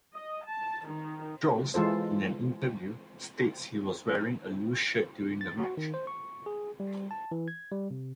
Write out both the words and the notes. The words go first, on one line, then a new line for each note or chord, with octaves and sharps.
Droz, in an interview, states he was wearing a loose shirt during the match.
D#5
A5
D#3
E3 G#3 F4 A4 C5
A6
F#4
D#3
C5
C#6
G#4
G3
A5
E3
G#6
G3
C3